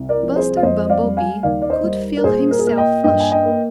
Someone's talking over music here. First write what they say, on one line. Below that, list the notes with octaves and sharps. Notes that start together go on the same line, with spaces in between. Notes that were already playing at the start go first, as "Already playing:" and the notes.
Buster Bumblebee could feel himself flushing.
Already playing: C2
A#4 D5
F3
G#4 C5
F5
F2 C5 D#5
D5 F5
G3
F5 G#5
D#2 D5 F5
D5
C5 D#5
G3
A#4
A#2 G#4 C5
A#4
G#4
A#3 A#4
D#5 G5
G2 D#5 G5
G#5
D#5 G5
A#3